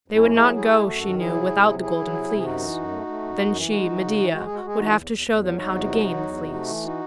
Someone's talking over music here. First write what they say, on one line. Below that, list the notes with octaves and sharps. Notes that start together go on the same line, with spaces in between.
They would not go, she knew, without the Golden Fleece; then she, Medea, would have to show them how to gain the Fleece.
F#2
C#4 E4
A3
E4 G#4
F#3
A3 E4 G#4
A3
F#2 F#4 A4
D#3
F#3 E4 G#4
C3
C3
F#3
F#3 E4 G#4
F#3
C3
C3
G#4
F#2 D#4 F#4
E3
F#2
A3
A3
F#2
F#2
E3
G#3 D#4 F#4
E3
C#3
E3
G#3 F#4
G#3 G#4
F#4
G#3 G#4
E3 D#4 F#4
E2
E2
E2
F#3
E2 D#4 F#4
C3
F#3
F#3
E2
C3
A3
E3
D#4 F#4